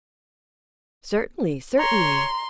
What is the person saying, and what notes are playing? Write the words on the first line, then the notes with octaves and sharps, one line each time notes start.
"Certainly, certainly."
C#5 A#5 C6